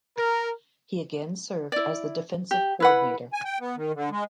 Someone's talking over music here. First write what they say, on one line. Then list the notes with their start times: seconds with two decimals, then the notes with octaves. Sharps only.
He again served as the defensive coordinator.
0.17 A#4
1.72 E4 D5
2.51 G4
2.80 E4 B4 F#5
3.33 G#5
3.45 G5
3.60 B3
3.76 D#3
3.95 D3
4.11 G#3